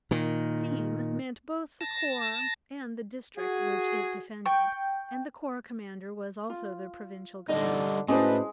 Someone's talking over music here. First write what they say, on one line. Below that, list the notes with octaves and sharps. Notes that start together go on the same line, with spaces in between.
"Theme" meant both the corps and the district which it defended, and the corps-commander was also the provincial governor.
A#2 D#3
A5 A#6
F#4 G#4
G5 C#6
F4
G1 D3 G3 D#4 D#5
A2 G#3 C#4 D4 E4 F#4 B4 C5